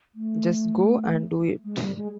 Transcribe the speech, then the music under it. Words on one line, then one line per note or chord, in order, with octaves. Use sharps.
Just go and do it.
A3
G#3
G3
G#3